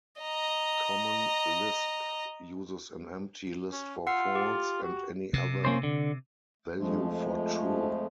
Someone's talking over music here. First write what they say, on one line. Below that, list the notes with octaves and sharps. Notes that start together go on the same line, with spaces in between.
Common Lisp uses an empty list for false, and any other value for true.
D#5 A#5
C#4
F4 F#5 E6 C7
G4
F#4
C3
A#3 C#4 C5
D3
F2 F3 G#3 A3